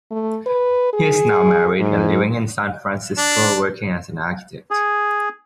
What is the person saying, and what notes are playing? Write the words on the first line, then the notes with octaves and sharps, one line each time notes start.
He is now married and living in San Francisco working as an architect.
A3
B4
G#4
G#2
D4
G#4